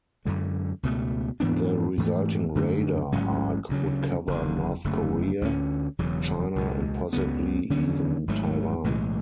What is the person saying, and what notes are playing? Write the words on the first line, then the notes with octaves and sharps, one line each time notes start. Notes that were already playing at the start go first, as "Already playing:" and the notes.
The resulting radar arc would cover North Korea, China and possibly even Taiwan.
F#2 D3 G#3
C#2 B2 A3
G#2 E3 B3 D4
G#2 E3 A3
F#2 D3 A3
A1 G#2 F#3 C#4
D2 C#3 F#3
F#1 F#2 D3
F#1 F#2 D3 A3
D2 D3 F#3 C#4
E1 E2 C#3 F#3
C#2 B2 G#3
C#2 C#3 E3 B3
D2 D3 F#3 C#4
G#1 G#2 F#3 A3
B1 A2 E3 G#3